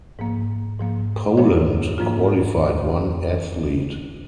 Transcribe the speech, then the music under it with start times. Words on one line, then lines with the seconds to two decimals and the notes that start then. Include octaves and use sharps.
Poland qualified one athlete.
0.19 G#2 F3 A#3
0.79 G#2 F3 A#3
1.38 G#2 F3 A#3 D4 F4 C#5
1.98 G#2 F3 A#3 D4 F4